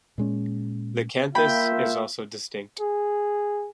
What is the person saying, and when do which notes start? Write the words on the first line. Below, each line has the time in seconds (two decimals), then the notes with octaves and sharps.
The canthus is also distinct.
0.18 A#2 G#3 C#4
1.35 A#3 F4 E5 G5 B5
2.80 G#4